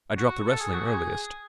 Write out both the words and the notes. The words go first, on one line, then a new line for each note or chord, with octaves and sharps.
I dropped the wrestling earliest.
F#4
A4
G#4
F#4
G#4